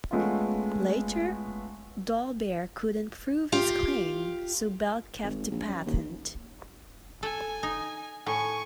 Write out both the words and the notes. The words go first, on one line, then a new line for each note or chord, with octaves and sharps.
Later, Dolbear couldn't prove his claim, so Bell kept the patent.
G#3 A3 B3 C#4 F4
F4 G4 F5
G#1
A#1
F#2
D#2
A4 G#5
D#4
A2 G#5 C#6